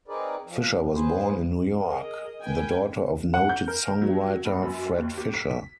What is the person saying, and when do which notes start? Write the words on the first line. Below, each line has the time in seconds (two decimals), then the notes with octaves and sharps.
Fisher was born in New York, the daughter of noted songwriter Fred Fisher.
0.08 C4 D#4 G#4 A#4 B4 D5
0.45 F3
0.94 G#4 B4 C5
1.88 G#4 A#4 D#5
2.41 A#4 B4 G5 G#5
3.34 F#5
3.49 G6
3.68 A#4
4.02 F#3
4.45 G2
4.63 F#2
4.98 D#2
5.18 G4
5.34 B6